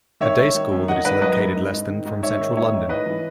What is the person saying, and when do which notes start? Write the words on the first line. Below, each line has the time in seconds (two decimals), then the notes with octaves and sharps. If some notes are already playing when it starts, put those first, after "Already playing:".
A day school that is located less than from Central London.
0.20 D#3 C#5 E5
0.38 D#3
0.55 D#3
0.71 F#2
0.88 D#3 D#5 F#5
1.05 D#3 B4 D#5
1.21 F#2 B4 D#5
1.39 F#2
1.55 G#2
1.72 G#2
1.90 D#3
2.05 G#2
2.23 G#2 C#5 E5
2.40 D#3
2.56 G#2 C#5 E5
2.73 G#2
2.89 A2 B4 D#5
3.06 E3